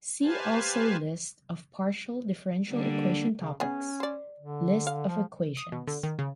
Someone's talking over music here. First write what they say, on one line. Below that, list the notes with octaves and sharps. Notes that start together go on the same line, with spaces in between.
See also list of partial differential equation topics, list of equations.
G4 B4 C5 F5 G#5 A5
D3 G3 A#3
C#3
B3 C#4 G#4 G#5
C5 D5
D3
F5
F3
D#6
B2
D3
D#3
C#3